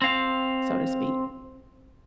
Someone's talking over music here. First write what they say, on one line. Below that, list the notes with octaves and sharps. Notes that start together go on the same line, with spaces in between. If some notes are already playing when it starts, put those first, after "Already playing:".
So to speak.
C4 F5